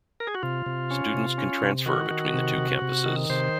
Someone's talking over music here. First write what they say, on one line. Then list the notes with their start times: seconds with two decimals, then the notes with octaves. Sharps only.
Students can transfer between the two campuses.
0.20 A#4
0.27 G#4
0.35 F#4
0.43 C3 F4
0.66 C3
0.91 C#4
1.14 C3
1.38 C#4
1.63 C3
1.86 D#3 F#4
2.11 D#3
2.34 C3
2.58 C3
2.82 C3
3.06 D#3
3.30 C3 C5